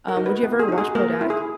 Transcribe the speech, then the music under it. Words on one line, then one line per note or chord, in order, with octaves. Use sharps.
rum, would you ever watch Below Deck?
A#4
D#4 F#4
B4
B3
G#4
D#4 F#4
G#4
A#3 A#4
E4
G#4